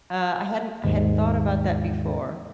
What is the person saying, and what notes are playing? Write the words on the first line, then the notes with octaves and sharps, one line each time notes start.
Uh, I hadn't I hadn't thought about that before.
D#2 G#2